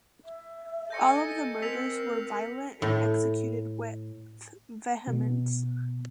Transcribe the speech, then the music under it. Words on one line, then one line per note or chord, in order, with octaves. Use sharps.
All of the murders were violent and executed with vehemence.
E5
A4 D#5 G#5 G6 A#6 C#7
C4 A#4 E6 B6 F7
A2
B2